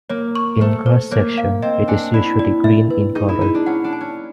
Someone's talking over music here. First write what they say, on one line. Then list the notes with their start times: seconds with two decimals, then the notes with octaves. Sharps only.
In cross section, it is usually green in color.
0.10 A#3 C#5
0.35 C#6
0.60 A3 C5
0.86 C5
1.11 A#3 C#5
1.38 F5
1.62 C4 D#5
1.88 D4 G#5
2.14 E4 D5
2.39 D5
2.64 E5
2.91 B4
3.15 D#4 G#4
3.29 E4
3.41 D#4 G#4
3.55 D4
3.66 C#4 F#5
3.84 D4
3.93 A5
4.01 C#4